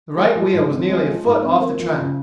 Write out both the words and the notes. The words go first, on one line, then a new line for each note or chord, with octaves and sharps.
The right wheel was nearly a foot off the track.
G#3
F3
G#2
C4
G#3
F3
G#2
C4
A#3
F3
C#3